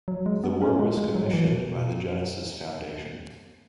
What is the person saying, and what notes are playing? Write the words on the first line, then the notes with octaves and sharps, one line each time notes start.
The work was commissioned by the Genesis Foundation.
F#3
G#3
B3
C#4
G#3
G#3
F#3
E3
B2